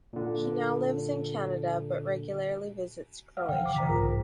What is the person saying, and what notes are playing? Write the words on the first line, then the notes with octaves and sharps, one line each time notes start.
He now lives in Canada but regularly visits Croatia.
A#2 D3
F5 F#5 F6
D3 F3 G5
C5 G5 D6
C#3 E3 C5 A#5 B6
B1 G#2 A3 F4 G#4 A#4